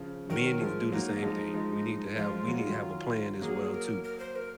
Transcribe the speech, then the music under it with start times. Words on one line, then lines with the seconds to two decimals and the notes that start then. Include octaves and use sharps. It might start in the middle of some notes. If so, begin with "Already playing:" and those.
Men need to do the same thing. We need to have we need to have a plan as well too,
Already playing: C#3 F3
0.29 D#3 F#3 A#4
0.60 F3 G#3
0.92 F#3 A#3 D#4
1.12 F#3
1.23 F3 G#3
1.54 F3 G#3
2.16 F3 G#3 F4
2.48 F#3
2.58 G#3
2.67 D#3 F#3
3.41 F#3 A#3 G#4
3.73 A#4
4.04 A#4
4.20 C5
4.36 A#4